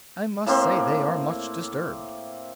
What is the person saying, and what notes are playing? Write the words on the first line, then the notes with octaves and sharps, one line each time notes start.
"I must say they are much disturbed."
A2 A#3 C4 C6